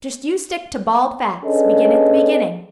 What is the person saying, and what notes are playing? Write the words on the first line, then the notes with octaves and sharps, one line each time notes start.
Just you stick to bald facts. Begin at the beginning.
C#4 D4 G#4 A4 B4 D#5